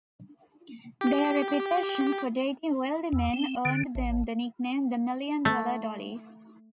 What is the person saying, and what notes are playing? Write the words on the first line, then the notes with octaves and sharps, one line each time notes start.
Their reputation for dating wealthy men earned them the nickname "The Million Dollar Dollies".
G4
E2
C4
D3
A1
A3